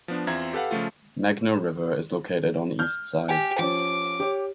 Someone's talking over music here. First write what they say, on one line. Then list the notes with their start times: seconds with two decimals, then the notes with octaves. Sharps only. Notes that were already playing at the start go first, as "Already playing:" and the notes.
Meghna River is located on East side.
0.08 F3 B3 D4
0.27 E2 C4 F4 E5 A#5 G#6
0.53 G4 A4 B4 F5 F#5
0.71 C#3 F3 A3 F4
2.79 F6 G6
3.29 G4 G#5
3.59 F3 C#4 D6
4.20 G4 C#5